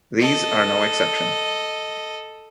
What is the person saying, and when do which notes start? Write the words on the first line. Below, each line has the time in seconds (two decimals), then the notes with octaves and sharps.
These are no exception.
0.20 A4 D#5